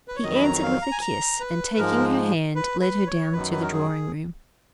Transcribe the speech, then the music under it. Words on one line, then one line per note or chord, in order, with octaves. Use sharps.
He answered with a kiss, and, taking her hand, led her down to the drawing-room.
B4
C#5
F2 D#3 F#3 D#5
B5
A#5
F5
A#5
G#5
A#5
B4
G#2 F3 G#3 A#4
B4
B4
C#5
F#2 D#3 F#3 B4
B4
A#4
G#4